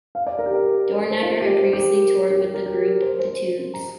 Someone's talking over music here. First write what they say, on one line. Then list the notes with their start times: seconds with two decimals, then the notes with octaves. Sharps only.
Dornacker had previously toured with the group The Tubes.
0.15 F5
0.27 D5
0.39 A#4
0.46 G4
0.54 A#4
0.98 A#4
1.11 C5
1.22 F4
1.40 G4
1.58 C5
1.66 A#4
1.73 G4
1.80 A#4
2.30 G4
2.42 G4
2.54 A#4
2.66 G4
3.02 C5
3.19 C5
3.74 A#5